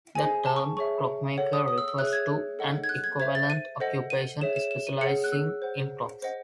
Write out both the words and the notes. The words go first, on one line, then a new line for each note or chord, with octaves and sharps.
The term clockmaker refers to an equivalent occupation specializing in clocks.
G#4 C5 D#5 G#5
A5
C#6
G#4 C#5 E5 C#6
A4 C#5 F#5
D#6
D#6
E6
E6
G#4 C#5 E5 F#6
G#6
A4 D#5 F#5
G#6
F#6
G#6
C5 E5 G#6
A6
D#7
A4 C5 D#5 F#5
D#7
G#4 C#5 E5 E7
E7
E7
D#7
G#4 C#5 F#5 C#7
F#6
E6
C5 F#5
C5 D#5 F#5